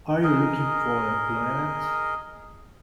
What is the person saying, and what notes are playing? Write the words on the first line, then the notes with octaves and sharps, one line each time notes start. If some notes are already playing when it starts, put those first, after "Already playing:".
Are you looking for employment?
G#4 A#4 D#5